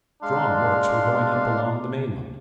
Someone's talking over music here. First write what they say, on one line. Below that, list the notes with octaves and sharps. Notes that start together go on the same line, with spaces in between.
Strong works were going up along the mainland.
G#3 D4 F5 C6